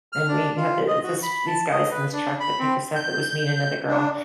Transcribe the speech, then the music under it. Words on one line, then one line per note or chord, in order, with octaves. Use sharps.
and we had the this these guys in this truck that picked us up. It was me and another girl,
F6
D4
F4
D#5
F#4
B5
A5
D#5
B4
D4
B5
C4
G6
D4